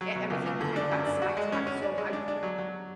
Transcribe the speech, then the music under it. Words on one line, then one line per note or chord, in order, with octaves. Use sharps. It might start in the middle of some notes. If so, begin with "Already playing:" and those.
e everything kinda got sidetracked, so I
F#3
B2
C#2
C#2
D3
D4
F#2
D4
F#4
G#3
C#4
C#4
D4
G#3
D4
D4
F#3
F#3